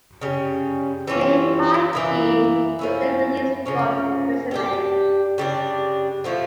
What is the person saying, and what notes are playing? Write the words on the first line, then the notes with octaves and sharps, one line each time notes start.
Bayhaqi was then released from imprisonment.
C#3 G3 C#4
E3 G3 C#4 F4
E3 A#3 E4
F3 C#4 E4
C#3 F3 C#4
G3 D4 G4
C#3 G3 D4
D3 F3 A3